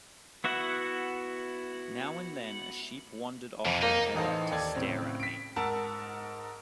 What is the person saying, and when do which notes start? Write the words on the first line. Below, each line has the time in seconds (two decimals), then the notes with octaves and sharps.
Now and then a sheep wandered off the heather to stare at me.
0.44 B3 E4 F#4 F#5
3.66 F2 C3 E3
3.82 A#3 D#4
4.15 A1 E3 D#4 A4 C5
4.51 D#2 A4 D5 G#6
4.75 A2 C#3 C4
5.20 B6 D7
5.56 G#2 A#4 F#5 A5 E6